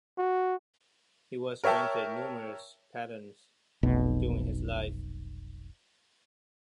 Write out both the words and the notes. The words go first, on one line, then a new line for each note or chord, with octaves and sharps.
He was granted numerous patents during his life.
F#4
A#4 C#5 E5 G5 A5
F1 B1 B2